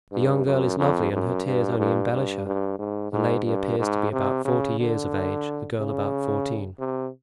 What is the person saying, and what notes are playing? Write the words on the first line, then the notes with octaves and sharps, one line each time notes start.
The young girl is lovely and her tears only embellish her; the lady appears to be about forty years of age, the girl about fourteen.
G2
F#2
F2
F#2
G2
G2
G2
G2
G#2
G#2
G2
G#2
C3
C#3
D3
C#3
C3